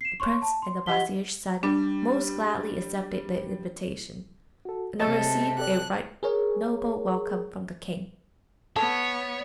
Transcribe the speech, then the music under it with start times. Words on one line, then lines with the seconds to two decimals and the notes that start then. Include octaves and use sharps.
The prince and the vizier's son most gladly accepted the invitation, and received a right noble welcome from the king.
0.01 C7 E7
0.20 C#5 C6 C#6
0.42 A5
0.62 C6
0.86 G4 D#5 F#5 B6 G7
1.63 G3 D4
4.65 F#4 A4
4.99 C3 G#3 A4 C#5 D#5 A5 A6
5.58 G4 A4 D5 F#6
6.23 G#4 A#4 C#5
8.76 B3 A4 C#5